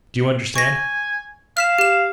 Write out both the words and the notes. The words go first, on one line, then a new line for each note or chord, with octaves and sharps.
Do you understand?
G#5 C#6 A#6
F5 F6 B6 E7
G4 E7